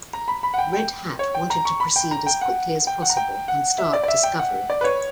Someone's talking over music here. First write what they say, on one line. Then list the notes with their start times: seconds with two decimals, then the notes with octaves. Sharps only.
Red Hat wanted to proceed as quickly as possible and start discovery.
0.13 A#5
0.28 B5
0.43 B5
0.54 F#5
0.58 G5
0.73 G5
1.19 C#5
1.35 G5
1.50 A#5
1.65 C#6
1.80 B5
1.96 G5
2.11 A#5
2.26 G5
2.41 F#5
2.87 G5
3.02 F#5
3.10 A#5
3.17 G5
3.48 F#5
3.78 E5
3.93 D5
4.04 D5
4.08 E5
4.23 G5
4.39 F#5
4.70 D5
4.81 B4
4.84 C#5